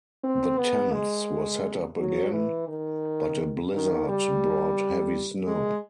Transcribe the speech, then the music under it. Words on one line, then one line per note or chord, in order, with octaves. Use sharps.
The tents were set up again, but a blizzard brought heavy snow.
C4
B3
G#3
F#3
E3
D#3
D#3
G3
G#3